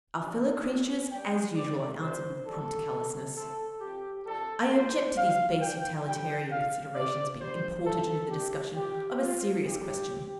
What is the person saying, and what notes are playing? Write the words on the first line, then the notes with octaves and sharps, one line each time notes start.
'Our fellow-creatures, as usual,' I answered, with prompt callousness. 'I object to these base utilitarian considerations being imported into the discussion of a serious question.
C3 G3 D4
G2 F3 C4
G2 G3 D4 G5
G2 D3 G3 C4 D5
C3 F3 D4 C5
A2 G3 D4 A4
G2 D3 G3
A2 A3 C4 A4
C3 F3 C4 G4
C3 F3 D4 A4
A2 F3 D4 C5
A2 G3 C4 F5
D3 F3 D4 G5
G2 G3 C4 G5
G2 F3 D4 F5
A2 A3 C4 D5
G2 G3 D4 C5
C3 A3 D4 A4
C3 A3 D4 G4
C3 F3 C4 G4
C3 G3 C4 F4
G2 D3 F3 G4
C4